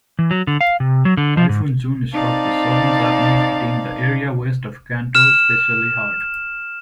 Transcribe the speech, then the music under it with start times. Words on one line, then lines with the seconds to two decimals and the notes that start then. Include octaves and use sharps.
Typhoon June struck the Southern Japanese hitting the area west of Kanto especially hard.
0.19 E3
0.31 F#3
0.47 D3
0.61 F5
0.80 C3
1.05 F#3
1.17 D3
1.37 F3
1.49 G#2
2.11 C4 D#4 D5 F5 A5
5.15 F6 E7